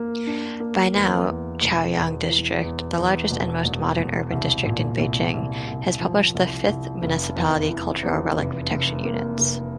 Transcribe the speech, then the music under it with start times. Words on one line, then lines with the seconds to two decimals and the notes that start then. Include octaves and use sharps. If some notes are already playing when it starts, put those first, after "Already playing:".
By now, Chaoyang District, the largest and the most modern urban district in Beijing, has published the fifth Municipality Cultural Relic Protection Units.
Already playing: A#3
0.27 D4
0.60 A#3
0.94 E2
1.28 E2
1.62 E1
1.96 E2
2.30 E3
2.63 E2
2.98 E2
3.31 E1
3.65 E1
3.98 E1
4.32 C2
4.66 A#2
4.99 C2
5.34 C2
5.67 C2
6.01 F3
6.35 C2
6.68 C2
7.02 F1
7.36 E2
7.70 E3
8.03 E2
8.37 F1
8.71 F1
9.05 A#3
9.38 F1